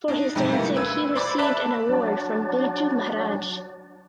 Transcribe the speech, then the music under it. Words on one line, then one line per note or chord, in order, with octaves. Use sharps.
For his dancing he received an award from Birju Maharaj.
D4 D#4
F2 G#2 C3 G3
E3 G3 A3 A#3
D2 B4 E6 G#6
C5 D5 B5 D6 A6
D5 E5 A5 B5 F#6 B6
F#3 D4